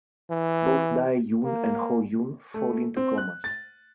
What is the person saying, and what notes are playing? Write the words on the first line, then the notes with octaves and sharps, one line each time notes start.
Both Dae-jun and Ho-jun fall into comas.
E3
A#3
A3
C4
F#6
A6